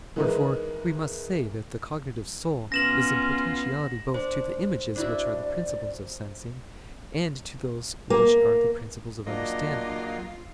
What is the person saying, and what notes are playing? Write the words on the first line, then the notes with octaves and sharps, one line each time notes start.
Wherefore we must say that the cognitive soul is in potentiality both to the images which are the principles of sensing, and to those which are the principles of understanding.
E3 G#3 D#4 A#4 B4
B3 C#4 F4 A#6 E7 F#7
D4 C5
D4 E4 F#4 D5
A#3
F#3 A#3 D4 F4 D#5